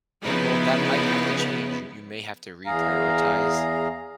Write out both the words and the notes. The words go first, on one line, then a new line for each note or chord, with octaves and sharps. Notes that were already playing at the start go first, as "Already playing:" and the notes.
Well, that might have to change. You you may have to reprioritize
C#3 F3 B3 D#4 E4 B4
E2 G#4 F5 A#5